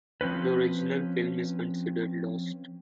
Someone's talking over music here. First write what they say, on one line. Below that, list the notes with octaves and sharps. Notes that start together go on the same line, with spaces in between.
The original film is considered lost.
F3 C4 C#4 B4